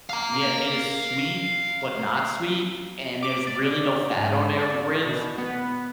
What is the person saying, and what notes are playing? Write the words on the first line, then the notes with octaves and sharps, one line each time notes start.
Yeah. It is sweet, but not sweet, and there's really no fat on their ribs.
F5 A#5
D6
D5
G#2
D5
B2
B3